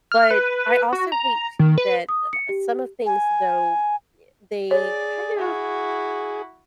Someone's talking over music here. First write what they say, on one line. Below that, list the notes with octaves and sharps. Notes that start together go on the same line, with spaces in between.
but I also hate too that, uh, some of things, though, y they kind of
F6
B4
F#4
A#5
D#3
B4
D#6
C#7
G4
G#5
G#4 C#5 D5
E4 F#4